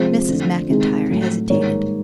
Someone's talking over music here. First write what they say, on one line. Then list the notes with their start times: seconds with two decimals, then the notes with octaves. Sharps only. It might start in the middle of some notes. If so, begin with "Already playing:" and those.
Mrs. MacIntyre hesitated.
Already playing: C3 F3 G#3 C5
0.29 F2 D3 F3 A3
0.69 C3 D#3 G#3
1.10 A2 F#3 A3
1.50 G#2 D#3 G3 A#3 C#5